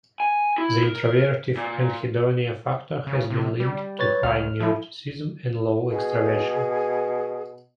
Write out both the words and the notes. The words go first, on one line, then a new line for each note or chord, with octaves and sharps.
The introvertive anhedonia factor has been linked to high neuroticism and low extraversion.
G#5
E4
A#4
A#2
C#3
C3
G3
B4 C#5 A6
C#2 F6
F3 E4 A4
B2 G#4